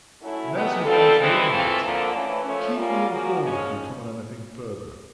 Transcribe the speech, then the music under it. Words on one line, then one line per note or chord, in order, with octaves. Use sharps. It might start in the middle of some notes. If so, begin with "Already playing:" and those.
And as regards the other matter--keep me informed if you come on anything further.
F#3 A3 C#4 E4
C3 D#3 G#3 B3
G3 C4 F4 A4
E3 G#3 C4
E3 A3 C4 F4
D3 F3 A#3
E3 A3 C#4
F3 A3 C#4
G3 A#3 C#4 F4
F3 A#3 C#4 F#4
C#3 F3 G#3 C#4